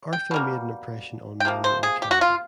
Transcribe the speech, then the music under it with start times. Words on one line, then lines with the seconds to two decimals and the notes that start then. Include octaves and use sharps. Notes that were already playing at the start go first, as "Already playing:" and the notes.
Arthur made an impression on many in Canada.
0.13 G5
0.31 B2 G3 A#3
1.40 G5
1.45 C3 F3 A#3
1.64 C5
1.83 G#4
2.02 G4
2.11 F#4
2.21 F4